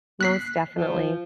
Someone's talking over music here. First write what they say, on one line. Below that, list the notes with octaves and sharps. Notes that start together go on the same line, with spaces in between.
Most definitely.
F#6 B6 C7
F3